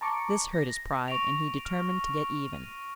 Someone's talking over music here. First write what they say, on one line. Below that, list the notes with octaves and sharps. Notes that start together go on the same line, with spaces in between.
This hurt his pride, and he determined to get even.
A5 A#5 C#6 D6 C#7
A#6
C#6 A#6 D7 F7
F6
D#7